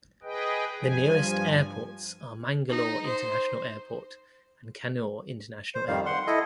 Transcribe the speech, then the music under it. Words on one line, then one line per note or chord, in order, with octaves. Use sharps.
The nearest airports are Mangalore International Airport and Kannur International Airport.
G#4 B4 D#5 G5
G2 F3 G#5
D#4
C5
C5
F2 D#3 G3 F5
F#5 C6
E4 A4 D#5